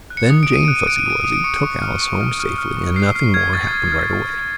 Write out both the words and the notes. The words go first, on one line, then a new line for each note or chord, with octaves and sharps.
Then Jane Fuzzy-Wuzzy took Alice home safely, and nothing more happened right away.
F#6
C#7
D#6
D7
D#6 D#7
F#6 D7
D#7
F#6 D7
D#7
D#6 D7
D#6 D#7
D7
C#6 C#7
C#6
F6
C#6
F6
F6
F6
C#6
F6 C7
F6 C7
F6 G#6
C#6 A6
F6
F6
F6
F6